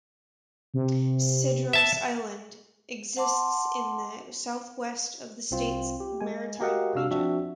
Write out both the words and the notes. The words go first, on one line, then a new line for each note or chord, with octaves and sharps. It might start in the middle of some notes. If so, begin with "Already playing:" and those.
Cedros Island exists in the southwest of the state's maritime region.
C3
E5 A5
F#5 A5 C6 D6
C2 C4 F4
G4
G#3 G#5
F#4 G4 A#4 D#5 F5 F#5
C3 D4 F#4 F5 E6 F6
F3 C4 D4 F#4 E5